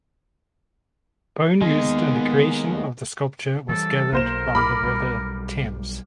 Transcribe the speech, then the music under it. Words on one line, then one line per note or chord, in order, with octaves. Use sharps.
Bone used in the creation of the sculpture was gathered from the River Thames.
D#3 G#3 A#3 B3
E3 G3 A4
B1 A#3 A#4 C5 E7
B5 D6 F6
B1 G3